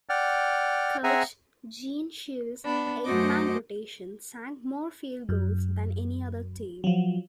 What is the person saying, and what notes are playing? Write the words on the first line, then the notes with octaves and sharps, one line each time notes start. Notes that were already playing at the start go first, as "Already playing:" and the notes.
Coach Gene Shue's eight-man rotation sank more field goals than any other team.
D5 F#5 G5 F6
C4 G#4 E5 F#5 G#5 A#5
B3 D4 B5
F#2 A3 F#4 C5 D#5 D6
F#2
F3 F#3